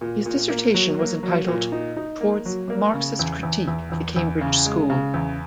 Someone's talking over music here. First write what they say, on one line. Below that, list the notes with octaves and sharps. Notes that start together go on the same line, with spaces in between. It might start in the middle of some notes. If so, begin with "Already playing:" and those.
His dissertation was entitled "Towards a Marxist Critique of the Cambridge School".
A#2
A#2
A#3
F#3
A#3
F#3
A#2
D#4
D#4
A#3
F#3
A#3
C#3
E2
E2
E2
E2
E2
C#3
G#3
C#3
E2